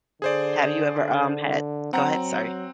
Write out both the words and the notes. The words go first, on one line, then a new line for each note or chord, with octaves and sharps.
Have you ever, um, had Go ahead, sorry.
D3 G#4 C5 D5
F#3 C4 F#5 A#5